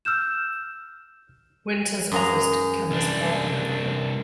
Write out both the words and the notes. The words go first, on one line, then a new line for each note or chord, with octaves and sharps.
Winters offers to become his partner.
E6 F6 G6 E7
F#2 G#3 A#5
C2 D4